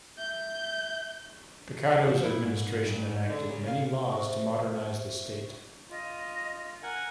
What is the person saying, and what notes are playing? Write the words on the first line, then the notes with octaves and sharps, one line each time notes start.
Picado's Administration enacted many laws to modernize the State.
E5 G6
F3
E4
G#2
G2
G#2
D3
C#3
F5
C5 E5 C#6
F4 D#5
A#4 F#5 G#5